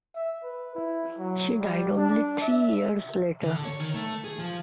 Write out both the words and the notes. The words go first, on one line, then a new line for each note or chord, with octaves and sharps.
She died only three years later.
E5
B4
E4
F#3
G3
D4
E5
D3
C#5
D#3
A3
G#4
F3